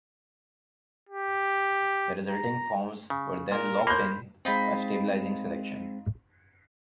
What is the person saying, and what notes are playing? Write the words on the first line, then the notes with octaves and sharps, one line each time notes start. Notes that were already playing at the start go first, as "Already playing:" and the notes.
The resulting forms were then "locked in" by stabilizing selection.
G4
A#5
C#3
A#2 A#4
A#3 B5 C6 G6
G#3 C4 D#4 F4 B5